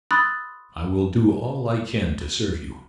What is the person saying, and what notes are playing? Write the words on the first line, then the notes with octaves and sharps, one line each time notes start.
I will do all I can to serve you.
B5 C6 D#6 E6 F#6 A6